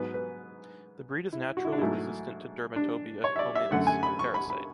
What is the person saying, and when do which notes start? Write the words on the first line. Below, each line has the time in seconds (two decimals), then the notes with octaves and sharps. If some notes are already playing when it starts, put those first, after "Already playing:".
The breed is naturally resistant to Dermatobia-Hominis, a parasite.
Already playing: G#2 F#3 B3 B4
0.14 B4
1.33 E4
1.57 F#4
1.65 E4
1.72 D4
1.78 G#2 F#3 A3 E4
2.76 D4
3.24 C#5
3.36 E5
3.39 D5
3.55 E5
3.71 F#2 D3 A3 F#5
3.87 G#5
4.03 B5
4.19 C#6
4.34 B5
4.50 B5